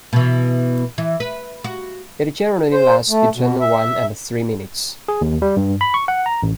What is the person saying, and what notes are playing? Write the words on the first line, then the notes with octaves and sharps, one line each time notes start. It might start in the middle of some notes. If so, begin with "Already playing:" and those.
It generally lasts between one and three minutes.
B2 E3
E3
B4
F#4
C5
A3
B2
E5
G#4
D#2
G3
G2
B5
C#6
F#5
A#5
A1